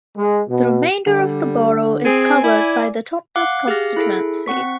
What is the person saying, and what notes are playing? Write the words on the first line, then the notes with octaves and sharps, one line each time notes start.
The remainder of the borough is covered by the Totnes constituency.
G#3
B2
D3 G3
C4 G#4 G#5
E4 D5
F5 F#5 D6 F#6
G4 G#4 F5 F6 A#6
E4 G#4 A4
C4 F#5 C#6 B6